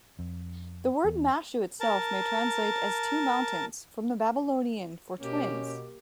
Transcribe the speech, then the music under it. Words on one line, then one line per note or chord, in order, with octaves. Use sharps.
The word "Mashu" itself may translate as "two mountains", from the Babylonian for "twins".
F2
E2
A#4 A5
B2 A#3 C#4 G4